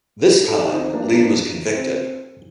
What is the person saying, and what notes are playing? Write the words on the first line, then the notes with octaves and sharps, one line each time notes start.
This time, Lee was convicted.
A4
D#4 G4
C4 D#4
A#3 D4
A#3 D4
C4